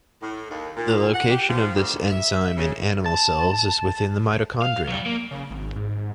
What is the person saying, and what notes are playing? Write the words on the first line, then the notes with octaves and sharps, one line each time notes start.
The location of this enzyme in animal cells is within the mitochondria.
A2
D#2
A#2
F#5
G4
F3
D2
E5
C#3
A5
F5
F#3 G3
A#3
C#3
G#1
G#2